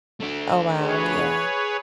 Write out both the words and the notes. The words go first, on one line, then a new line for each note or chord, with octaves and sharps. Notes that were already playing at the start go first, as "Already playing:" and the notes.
Oh, wow, yeah.
A3 D4
G#4 B4 C#5